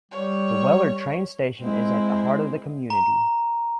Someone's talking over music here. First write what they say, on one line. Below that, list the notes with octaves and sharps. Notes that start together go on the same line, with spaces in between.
The Wellard Train Station is at the heart of the community.
G3 C#5
G#3 C4 E4
A#5